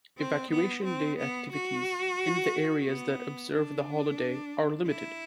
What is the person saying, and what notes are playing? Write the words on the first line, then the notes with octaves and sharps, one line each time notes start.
Evacuation Day activities in the areas that observe the holiday are limited.
C4
B3
C4
B3
F#4
B3
D4
E4